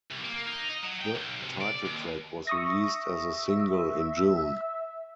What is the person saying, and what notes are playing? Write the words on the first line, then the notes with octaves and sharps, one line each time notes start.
The title track was released as a single in June.
C2
A#3
D#4
D#5
F#3
G5
B1
C3
D5
D#2
E5 C#6 D#6 A#6